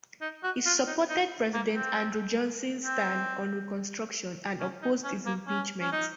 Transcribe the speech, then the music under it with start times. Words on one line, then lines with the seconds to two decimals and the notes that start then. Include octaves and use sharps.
He supported President Andrew Johnson's stance on reconstruction and opposed his impeachment.
0.21 D#4
0.43 F#4
0.66 F4
0.87 D#4
1.09 D#4
1.54 A#3
1.75 C4
2.85 C4
4.60 C#4
4.82 D#4
5.04 C#4
5.26 A#3
5.47 C#4
5.81 C#4
5.92 D#4